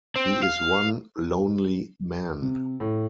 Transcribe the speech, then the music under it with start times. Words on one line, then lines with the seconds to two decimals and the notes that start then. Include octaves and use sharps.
He is one lonely man.
0.16 C4
0.43 F5
2.42 C3
2.80 A2